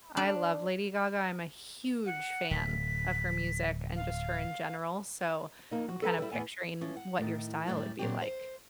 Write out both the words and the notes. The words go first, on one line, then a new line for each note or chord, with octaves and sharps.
I love Lady Gaga, I'm a huge fan of her music and just her in general, so, I'm kind of picturing what your style would be like.
D4
F#5
D1 B6
F5
F2 A#3 D#4
F#4
A4 B4 G5 A#5
G3 E4
E2 A2 B3 G#5
E3 F3 C#4
F#5
A2 D#3
F#2 A2 G3 F#4 D5 E5
A#2 F#3 C4 D4 G4
C5